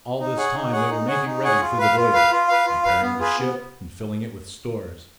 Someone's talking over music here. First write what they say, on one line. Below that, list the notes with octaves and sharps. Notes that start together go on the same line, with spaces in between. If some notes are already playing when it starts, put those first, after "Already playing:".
All this time they were making ready for the voyage, repairing the ship and filling it with stores.
D#4
G#4 C#5 F#5
D#4
G#4 C#5 F#5
D#4
G#4 C#5 F#5
D#4
G#4 C#5 F#5
F4
B4 F5
F4
B4 F5
F4
B4 F5
F4
B4 F5
B3
F4 G#4 B4
B3